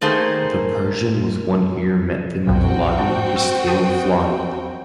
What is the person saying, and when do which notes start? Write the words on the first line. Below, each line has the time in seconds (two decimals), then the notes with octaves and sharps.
The Persian with one ear met them in the lobby, his tail flying.
0.01 D#3 A3 A#3 G#4 C5
2.47 B1 F2 A#2 C4 F#4 G5
2.99 A5
3.36 E6
3.68 A5 D#6